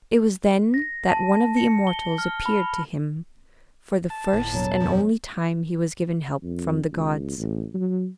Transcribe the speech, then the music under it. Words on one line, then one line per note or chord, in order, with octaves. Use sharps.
It was then that one of the immortals appeared to him; for the first and only time he was given help from the gods.
A#6
A5
C#7
G7
F6
B5
A5
G1 A2
E1 F#3
F#2 F3
F2
C#2
A1
F#3